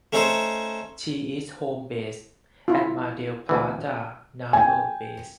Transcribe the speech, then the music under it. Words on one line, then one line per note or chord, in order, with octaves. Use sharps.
She is home based at Mar del Plata naval base.
A3 C#4 D#4 A4 C5 C#5
E4 F4
D2 E3
G5 G#5